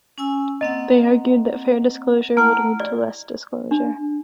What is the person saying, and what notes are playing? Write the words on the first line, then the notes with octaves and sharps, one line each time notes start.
They argued that fair disclosure would lead to less disclosure.
C#4 G#5 E6
A#3 C4 D#5 F#5
A3 E4 F#5 A#5 F6
D5
D4